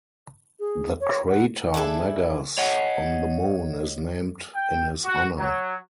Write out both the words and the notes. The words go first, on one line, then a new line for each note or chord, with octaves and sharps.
The crater Meggers on the Moon is named in his honor.
G#4
C#5
F#5
D4 E4 G#4 A4 E5
C#5 D#5 F#5
G5
F#4
F#3